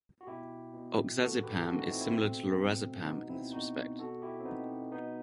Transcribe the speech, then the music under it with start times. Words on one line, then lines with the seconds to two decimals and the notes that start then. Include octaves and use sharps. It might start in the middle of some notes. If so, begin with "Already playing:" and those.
Oxazepam is similar to lorazepam in this respect.
0.21 F#4
0.27 B2 E4 G4
0.74 B2
1.20 A2 E3 F#4 A4
1.43 G4 B4
1.67 A2 F#4 A4
1.71 E3
1.78 D#4 F#4
1.90 C4 E4
2.01 C4 E4
2.13 B2 A3 C4
2.59 B2
3.06 B2 B3 D#4
3.29 C4 E4
3.52 B2 D#4 F#4
3.99 B2 F#4 A4
4.22 E4 G4
4.40 C4
4.45 B2 B3 D#4
4.91 B2 B3 D#4